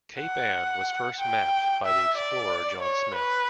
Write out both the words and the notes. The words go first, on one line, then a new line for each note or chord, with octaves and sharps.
Cape Ann was first mapped by the explorer John Smith.
F#5
G5
E5
D5
C#5
B4